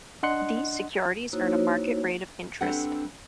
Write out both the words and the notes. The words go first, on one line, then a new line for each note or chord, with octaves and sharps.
These securities earn a market rate of interest.
D4 D#5 F#5 C6 F#6 C#7
A#3 D#4 E4 F#4 C5 C#5
G3 C4 D4 A4 B4 F#5